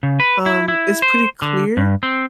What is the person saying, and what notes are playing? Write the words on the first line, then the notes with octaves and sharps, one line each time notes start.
um, is pretty clear,
C#3
B4
E4
E4
C5
D3
G2
C4